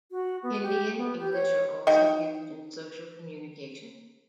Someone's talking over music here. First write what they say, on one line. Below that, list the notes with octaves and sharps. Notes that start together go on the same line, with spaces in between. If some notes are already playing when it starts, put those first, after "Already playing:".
Hindi and English are also used in social communication.
F#4
B3
G4
B3
G4
C#5
D#4 G5